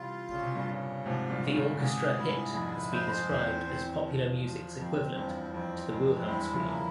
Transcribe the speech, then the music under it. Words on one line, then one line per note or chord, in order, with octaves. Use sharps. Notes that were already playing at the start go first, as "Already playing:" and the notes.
The orchestra hit has been described as popular music's equivalent to the Wilhelm scream.
Already playing: C3 E3 G3 F4
A#2 C#3
C3
G2 A#2
C#3
G#2 C3 F3
G2 A#2
C#3
G2 A#2
G#2 C3 G#4
G2 A#2 E4
F2 G#2 G#3
F2 C5
E2 C4
C4
F3
F3
F2 C4
E2 G2 F3
F2 C4
F2 G#3
F2
E2 G2 E4
C#3 F3
A#3